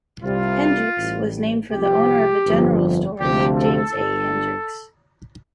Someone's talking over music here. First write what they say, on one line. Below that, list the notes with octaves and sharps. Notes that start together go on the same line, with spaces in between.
Hendrix was named for the owner of a general store named James A. Hendrix.
C2 C3 G3 F4
A1 A2 G3
C2 C3 F3 G4
G1 F2 F3
D2 C3 F3 G4
A4
G1 G2 D3